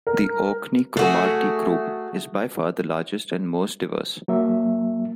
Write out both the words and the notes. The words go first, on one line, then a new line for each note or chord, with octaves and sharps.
The Orkney-Cromarty group is by far the largest and most diverse.
A#4
A3 F#4 G#4
F#3 A#3 E5